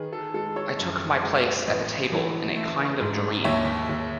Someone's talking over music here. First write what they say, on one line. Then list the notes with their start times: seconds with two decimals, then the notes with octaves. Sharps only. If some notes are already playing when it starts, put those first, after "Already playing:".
I took my place at the table in a kind of dream.
Already playing: D#3 G#4 B4
0.13 A4
0.34 G#3 A4
0.56 A4 C#5
0.78 F#2
1.23 G#3
1.67 A1 B4 D#5
2.12 E3
2.56 A3
3.00 G#2
3.44 D#2 C#5 E5
3.89 D#2